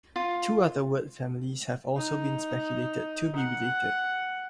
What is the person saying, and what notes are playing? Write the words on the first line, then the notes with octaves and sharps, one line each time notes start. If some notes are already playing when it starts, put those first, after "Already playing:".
Two other word families have also been speculated to be related.
F4
D#4
F#5